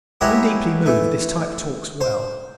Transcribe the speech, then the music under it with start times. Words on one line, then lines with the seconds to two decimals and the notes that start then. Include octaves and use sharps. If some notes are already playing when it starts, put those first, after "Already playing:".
When deeply moved this type talks well.
0.21 F#3 G#3 E4 G4 A#4 B4
0.86 E3 A3
2.01 C5